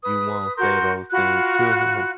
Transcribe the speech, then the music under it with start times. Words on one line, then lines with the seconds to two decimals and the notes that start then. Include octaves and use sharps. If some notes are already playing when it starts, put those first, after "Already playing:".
you won't say those things to him,
0.03 B4 D#6
0.57 F#4 A#4 C6 G6
1.11 F4 F#4 B5 F#6